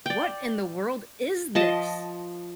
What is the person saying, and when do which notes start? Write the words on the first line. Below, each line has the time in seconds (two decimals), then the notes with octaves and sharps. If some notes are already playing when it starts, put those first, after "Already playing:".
What in the world is this?
0.06 D5 G5
1.55 F3 D#5 A5